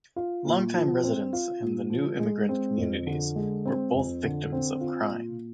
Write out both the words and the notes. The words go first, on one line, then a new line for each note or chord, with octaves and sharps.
Long-time residents and the new immigrant communities were both victims of crime.
F4
A#2
F3
C4
F4
A#2
F3
G#3
C4
F2
D3
G#3
C4
F2
D3
C4
F4
A#2